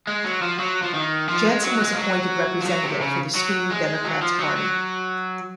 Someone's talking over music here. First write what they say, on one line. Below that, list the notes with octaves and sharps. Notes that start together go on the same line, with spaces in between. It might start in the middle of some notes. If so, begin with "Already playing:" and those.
Jansson was appointed representative for the Sweden Democrats party.
G#3
F#3
F3
F#3
F3
D#3
F3
G#3
F#3
G#3
F3
F#3
F3
F#3
C3
C#3
F#3
G#3
F#3
F3
F#3
F#3